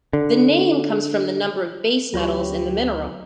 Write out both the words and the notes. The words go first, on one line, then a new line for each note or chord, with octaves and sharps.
The name comes from the number of base metals in the mineral.
D3
D2 F#3 F4 G4 B4 C#5 C#6